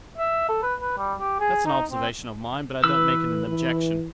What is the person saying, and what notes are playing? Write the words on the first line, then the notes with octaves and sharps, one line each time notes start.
That's an observation of mine, but I don't make it an objection.
E5
A4
B4
B4
G3
G4
G#4
D#4
C4
E3 B4 E6
E3